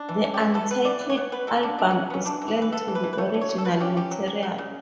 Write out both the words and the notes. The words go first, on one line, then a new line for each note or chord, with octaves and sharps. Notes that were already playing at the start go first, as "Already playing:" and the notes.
The untitled album is planned to be original material.
Already playing: D4
E3
C#4
G4
E3 F#4
B3 A4
B3 B4
E3 D5
B3
C#5
B3
B3 B4
F#3 A4
B3 D4
F#3 D4
F#3 C#4
B3 C#4
E3 D4
E3
F#4
E3
B4
B3 A4
E3
B4
E3
B4
A3 C#5
D3
C#5
D3
A4
D3 B4
C#4 G4
C#4 G4
F#3
F#3
C#3
C#3